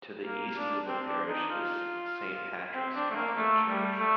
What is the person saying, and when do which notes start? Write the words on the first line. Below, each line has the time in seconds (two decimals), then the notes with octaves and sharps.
To the east of the parish is Saint Patrick's Catholic Church.
0.25 A#3
0.56 D4
0.87 C4
1.08 D4
1.29 D#4
1.50 F4
2.74 C4
2.95 D4
3.10 A3
3.15 A#3
3.36 A3
3.68 G3
3.99 A3